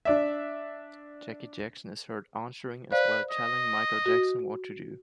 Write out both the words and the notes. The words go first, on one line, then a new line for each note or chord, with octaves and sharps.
Jackie Jackson is heard answering as well telling Michael Jackson what to do.
D4 D5 E5
B4 C5 D5 F5
D#5
F#4